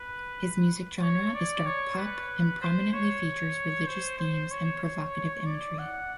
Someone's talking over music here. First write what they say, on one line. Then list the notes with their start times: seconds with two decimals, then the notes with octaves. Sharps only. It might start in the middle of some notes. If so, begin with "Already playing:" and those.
His music genre is dark pop and prominently features religious themes and provocative imagery.
Already playing: B4
1.02 C#5
1.35 D5
1.66 C#5
1.98 B4
2.62 C5
2.93 C#5
3.87 C5
4.19 C5
4.51 C#5
4.84 C#5
5.46 D5
5.79 F#5